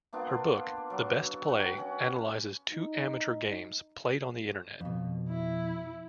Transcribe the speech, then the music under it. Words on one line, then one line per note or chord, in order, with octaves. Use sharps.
Her book, The Best Play, analyzes two amateur games played on the internet.
A#3 B3 D4 F4
F#3
F#4 F#5 G5
C#4
D#4
F2 B2
E4